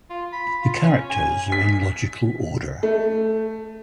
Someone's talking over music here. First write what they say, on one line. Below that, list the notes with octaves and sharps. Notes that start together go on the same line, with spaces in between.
The characters are in logical order.
F4
B5
F4
C#4
G#5
B6
A3